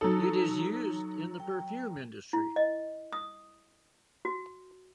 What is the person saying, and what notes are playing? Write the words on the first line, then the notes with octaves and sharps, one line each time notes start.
It is used in the perfume industry.
F#3 D#4 A4
G5
E4
D#5
D#6
F#4